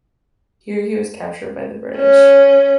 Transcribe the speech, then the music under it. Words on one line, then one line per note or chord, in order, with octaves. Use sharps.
Here he was captured by the British.
C#4